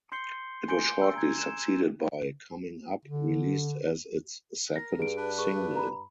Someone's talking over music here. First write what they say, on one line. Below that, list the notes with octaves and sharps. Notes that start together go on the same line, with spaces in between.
It was shortly succeeded by "Coming Up" released as its second single.
C6 G6 C7 C#7 G7
G#5 C6 G6 C#7 D7 G7
E6
A#5 G#6
E7
D3
A#4 A#6
G2 G#4 D7
D4 B4
G#4 C#6
A#5 B5